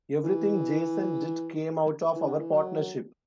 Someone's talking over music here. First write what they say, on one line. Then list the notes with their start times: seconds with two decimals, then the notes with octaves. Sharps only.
Everything Jason did came out of our partnership.
0.23 E3
2.16 E3
2.27 D3
2.40 E3
2.52 F#3